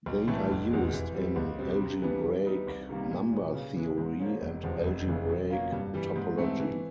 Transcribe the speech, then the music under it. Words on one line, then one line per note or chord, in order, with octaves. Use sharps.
They are used in algebraic number theory and algebraic topology.
B1
A2 E3 A3
F1
E2 B2 G#3
E3
G3 C4
C#2
B2 G3 C4
C3
E3 G3 B3 D4
E3
G3 B3 D#4
C2
C3 D#3 G3 A#3
A#2
F#3 B3
C#3
E3 G#3
G#2
F3 A#3 C#4
F1
E2 C3 F3 G#3
F1
F2 C#3 E3 G#3
B2
F#3 A#3 C#4 F4
G2
E3 G3
G#2
E3 A3 C4
E3